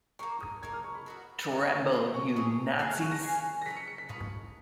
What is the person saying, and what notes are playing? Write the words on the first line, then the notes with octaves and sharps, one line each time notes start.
Tremble, you Nazis!
A#3 D#4 A#4 C#6
D#6
A#3 D#4 A#4 G#6
F6
C#6
B5
B3 F#4 A#4
B3 F#4 A#4 D#5
C#5
C#4 G#4 D#5
C#6
C#4 G#4 D#5 C#6
G#4 C#5 F5 G#5 F#6
F6
C#6
A#6
G#4 C#5 F5 G#5
A#6
C#4 F4 B4 D#5 B6
C#7
C#7
B6
C#4 F4 B4 D#5